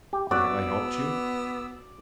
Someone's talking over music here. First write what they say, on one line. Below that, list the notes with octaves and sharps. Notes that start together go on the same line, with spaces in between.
"And have I helped you?"
G4
B3 F#4 D5 E6